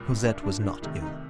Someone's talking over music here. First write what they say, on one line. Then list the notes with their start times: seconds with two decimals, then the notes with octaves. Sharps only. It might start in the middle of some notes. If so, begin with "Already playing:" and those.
Cosette was not ill.
Already playing: C2 A#2 G3
0.08 C4
0.23 D4
0.42 D4
0.62 D4
0.82 C2 C3 D#3 A3 D#4
1.01 D#4